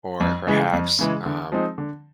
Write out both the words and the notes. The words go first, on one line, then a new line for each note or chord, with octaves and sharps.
or perhaps, um
F2
C#3 E3 G#3
F2
C#3 E3 G#3
D3
F3 G#3 C4 D#4
D3